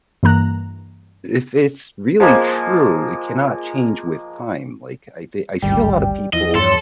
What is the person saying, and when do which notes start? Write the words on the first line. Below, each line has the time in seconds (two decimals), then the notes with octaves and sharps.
if it's really true, it cannot change with time, like, I d I see a lotta people
0.23 G2 E3 A#3 A#5 F#6
2.20 F3 G#3 A#3
5.62 G#1 D2 G2 G3 G5
6.33 E2 F3 E4 D#5
6.55 G2 A4 C#5 C6